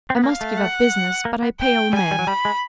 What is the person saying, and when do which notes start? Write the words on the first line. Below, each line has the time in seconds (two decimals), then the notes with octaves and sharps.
I must give up business, but I pay all men.
0.10 C4
0.16 B3
0.24 A#3 F5
0.41 A3
0.58 F#5
1.25 A#3
1.42 B3
1.60 G5
1.93 G3 G#5
2.11 G3
2.19 F#3
2.27 G3 B5
2.45 G#3